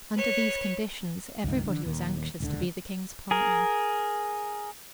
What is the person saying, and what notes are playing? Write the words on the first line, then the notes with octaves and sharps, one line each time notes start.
Under these conditions everybody was anxious to be the king's partner.
B4 C#5
C#2 G2 D#3
D3 E3 A3 D4
D#1 D#2
D#1 C#2 D3
G#4 A#4